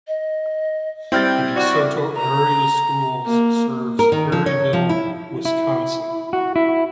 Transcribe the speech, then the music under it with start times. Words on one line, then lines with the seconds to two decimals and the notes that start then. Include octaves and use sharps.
The De Soto Area Schools serves Ferryville, Wisconsin.
0.08 D#5
1.12 G3 C4 E4 G5 F6 A6
1.56 F#4 D5
2.17 A#5
3.27 A#3
3.99 A#4
4.12 D#3
4.32 F3
4.46 C#5
4.73 F3
4.89 E4
5.45 E4
6.33 F#4
6.56 E4